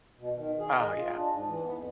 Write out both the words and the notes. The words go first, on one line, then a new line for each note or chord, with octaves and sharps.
Oh, yeah.
B2
D#3
G#4
D#5
F4
D4
G#2
E3
B3
F2